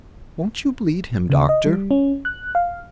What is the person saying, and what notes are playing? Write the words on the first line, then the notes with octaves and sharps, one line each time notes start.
Won't you bleed him, doctor?
C#3
D#5
G3
C#4
F#6
F5